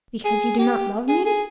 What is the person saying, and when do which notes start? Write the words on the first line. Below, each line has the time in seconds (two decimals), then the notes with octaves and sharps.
"Because you do not love me?"
0.25 G#4
0.58 G4
1.08 G#4
1.25 G#4